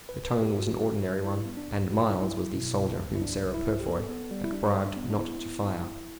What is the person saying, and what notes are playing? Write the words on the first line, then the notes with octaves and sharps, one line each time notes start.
The tone was an ordinary one, and Miles was the soldier whom Sarah Purfoy had bribed not to fire.
B4
F#2
B4
F#2 G4
G3 F#4
D3
G3
F#3 E4
B3
D4
B1
B2 F#4
E4
B1 D4
E4
F#3
B2
C2
C2
E4
C2 D4
C2
E4
C2
G4
B3 A4
B3
G3
E4
G3 D4
G3
D4
B3
D4
B3 E4
B3
G1
G1